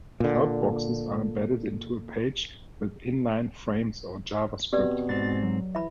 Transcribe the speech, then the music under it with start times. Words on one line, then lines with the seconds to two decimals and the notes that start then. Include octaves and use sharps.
Shoutboxes are embedded into a page with inline frames or JavaScript.
0.20 A#2 D3
4.73 B2 C4 G4 B4 D5
5.09 G#2 C4 A6
5.43 F#3
5.75 E3 E5 B5